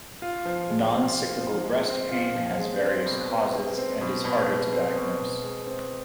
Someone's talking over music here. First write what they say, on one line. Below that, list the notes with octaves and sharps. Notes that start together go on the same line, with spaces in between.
Noncyclical breast pain has various causes and is harder to diagnose.
F4
F3
G#3
C4
F4
F3
G#3
C4
F4
F3
G#3
C4
B2
B2
G#3
C4
B2
B2
G#3
C4
B2
B2
G#3
C4